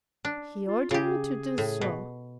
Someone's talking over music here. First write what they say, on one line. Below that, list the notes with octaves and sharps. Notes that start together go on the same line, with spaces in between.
He ordered me to do so.
D4
F4
C#3 G4 G#4
A2
B2